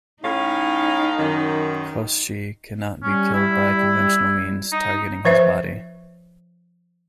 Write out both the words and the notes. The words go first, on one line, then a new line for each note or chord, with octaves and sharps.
Koschei cannot be killed by conventional means targeting his body.
A2 C#4 D#4 F5
F#2 D#3
G3 C#4
E4
D#4
F3 B4 C5 E5